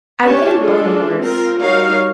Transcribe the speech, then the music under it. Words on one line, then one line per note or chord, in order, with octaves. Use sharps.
I wouldn't own a horse,
C#4 D4 G4 C#5 A5
G#3 D4 F4 G#4 A4
C4 F4 A#4
G3 D#4 F#4 A#4 C#5 F5